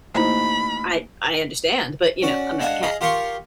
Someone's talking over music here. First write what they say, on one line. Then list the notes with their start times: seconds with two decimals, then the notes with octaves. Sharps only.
I I understand, but, you know, I'm not a cat.
0.15 A1 A#3 D#4 C5 B5
2.22 C#4 F#4 D5
2.60 G#3 D4 F5 F#5 G#5
2.83 G#4 D#5 F5
3.01 F4 G4 A#4 F5 C6 C#6